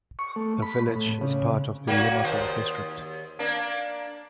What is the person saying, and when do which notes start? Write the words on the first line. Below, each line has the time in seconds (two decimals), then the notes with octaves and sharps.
The village is part of the Limassol District.
0.19 C#6
0.36 A3
0.62 B5
0.88 A2
1.21 C#3
1.87 F#3 A#3 F#4
2.24 D#2 C5
3.39 A#3 D4